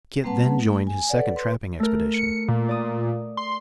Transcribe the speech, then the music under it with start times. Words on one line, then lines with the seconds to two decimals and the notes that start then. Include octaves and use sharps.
Kit then joined his second trapping expedition.
0.24 G3 A#3 C4 B4 F#5 A5
0.60 A3
0.87 G#5
1.09 A4 B4 C#5 D5 F#5
1.36 B4 C6
1.80 A3 A#4
2.14 C#7
2.48 A#2
2.69 D5 D#6
3.37 C6